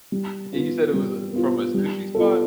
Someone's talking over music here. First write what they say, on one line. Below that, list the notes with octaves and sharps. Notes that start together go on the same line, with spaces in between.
And you said it was, uh, from a sushi spot?
G3
B3 F4
G3
B3 F4
G3
B3 F4 A4